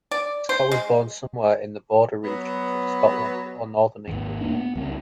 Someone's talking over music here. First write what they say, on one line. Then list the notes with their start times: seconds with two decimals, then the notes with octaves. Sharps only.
Scot was born somewhere in the border regions of Scotland or northern England.
0.11 D5
0.49 C5
0.71 G#3
2.24 F#3 B3
4.08 G#1 D#2
4.41 D#1 A#3 D4
4.54 B3
4.75 C#2 G3 C4